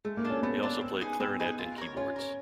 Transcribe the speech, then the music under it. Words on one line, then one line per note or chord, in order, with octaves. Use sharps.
He also played clarinet and keyboards.
G#3 A3
A#3
D4 F4 A4
C#4
A3 B3
D4 F4 A4
C4
D#4 G#4 B4
B3 C4
D#4 G#4 B4
F4
A#4 C#5
C#4 F4
A#4 C#5